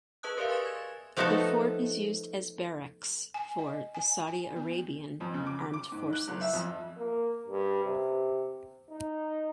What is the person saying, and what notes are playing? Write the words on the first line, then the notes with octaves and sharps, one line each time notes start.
The fort is used as barracks for the Saudi Arabian Armed Forces.
G#4 B4 D#5 A5 D#6 F#6
G4 A#4 B4 D5 E5 F5
G#5 C6 C#6 A6 E7
G#6
F3 A3 B3 D#4 F#4 A4
G#5
D#5
G#5
G#5
B3
F2
C#3
D6
D6
G#2
F#6
F#1
E5
F2
A#3
G2
C3
D#4